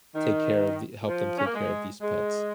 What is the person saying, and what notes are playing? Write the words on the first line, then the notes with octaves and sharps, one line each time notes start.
take care of the help them take care of these pets.
D#3
F3
C#4
A#3
G#3
G#3